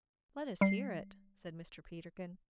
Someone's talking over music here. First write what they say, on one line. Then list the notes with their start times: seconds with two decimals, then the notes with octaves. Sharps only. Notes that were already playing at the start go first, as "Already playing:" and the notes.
"Let us hear it," said Mr. Peterkin.
0.61 G3 C7